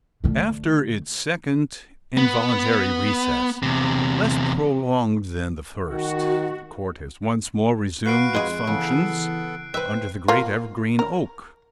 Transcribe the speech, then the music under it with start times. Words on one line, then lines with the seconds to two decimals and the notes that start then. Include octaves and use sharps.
After its second involuntary recess--less prolonged than the first--the Court has once more resumed its functions under the great evergreen oak.
0.24 D3 A3
2.17 B3
3.63 E2 C3
5.91 D#3 F#4
8.06 F#4 B4 F5 F#6 C7 D7
8.35 F2 G#3 G#4
8.67 C#3 E3 B3 A4
9.74 B4 C5 E5 G5 F#6
10.28 A#3 F4
10.99 A#4